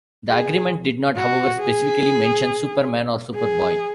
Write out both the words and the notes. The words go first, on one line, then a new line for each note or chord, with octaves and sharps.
The agreement did not, however, specifically mention Superman or Superboy.
G#4
F#4
G#4
G#4